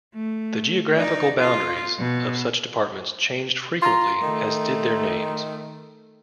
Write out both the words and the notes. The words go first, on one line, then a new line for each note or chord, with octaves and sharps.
The geographical boundaries of such departments changed frequently, as did their names.
A3
D#4 D5
F4
B2
F4 A#5 C6
D#3 A3